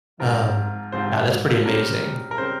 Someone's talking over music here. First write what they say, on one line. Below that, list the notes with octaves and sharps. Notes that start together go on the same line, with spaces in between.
Um, yeah, that's pretty amazing.
G#2 F3 C4 F4 A#4
G#2 F3 C4 F4 C5
C#3 G3 C4 A#4
A#4
C#3 G3 C4 C5